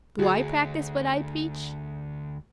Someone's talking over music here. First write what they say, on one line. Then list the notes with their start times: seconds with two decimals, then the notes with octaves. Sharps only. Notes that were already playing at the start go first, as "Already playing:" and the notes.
Do I practise what I preach?
0.19 D2 F#4 G#4